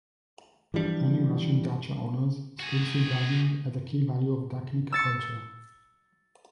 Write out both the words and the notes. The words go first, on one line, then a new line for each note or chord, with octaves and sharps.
Many Russian dacha owners still see gardening as a key value of "dachnik" culture.
E3 F3 G3 D4
F#4 G#4
E6 A6 C#7